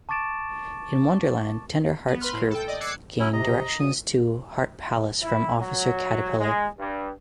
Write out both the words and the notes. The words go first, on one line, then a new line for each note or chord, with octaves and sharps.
In Wonderland, Tenderheart's group gain directions to Heart Palace from Officer Caterpillar.
A5 C#6 D6 A6 D7 E7
B3
B4 B5 C6 F6
A2
A4 G5
D5 D#5
D6 E6 F#6 G#6 C7 C#7
F#3 C#4 E4
C3 D#5 A#5
D2 D#6
E4
F#3
G#3
G2